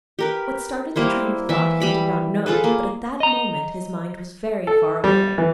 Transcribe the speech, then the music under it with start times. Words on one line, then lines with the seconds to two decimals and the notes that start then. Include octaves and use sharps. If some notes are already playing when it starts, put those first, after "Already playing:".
What started the train of thought he did not know, but at that moment his mind was very far away.
0.19 G4 A#4 B4
0.96 G3 A#3 E4 C5
1.49 E3 E5
1.80 G3 B5 D6
2.46 F4 G#4 A4 B4
2.64 A#3
3.20 D#5 A#5
4.67 A4
5.04 G3
5.38 E3